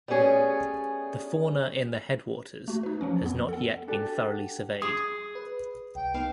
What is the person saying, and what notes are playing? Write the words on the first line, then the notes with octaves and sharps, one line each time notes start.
The fauna in the headwaters has not yet been thoroughly surveyed.
G3 A3 B3 C#4 G#4
A3 F#4
D#4 B4
F3 F#3 C#4
F2 B3
A4 F#5
D4 F#4 G4 A4
G#4 D#6
B4
C2 G5
B3 D#4 B4 F5